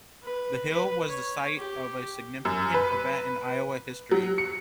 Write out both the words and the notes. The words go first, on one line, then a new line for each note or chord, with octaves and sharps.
The hill was the site of a significant event in Iowa history.
B4
B4
C#5
G4
F#2
B4
F#3
C#7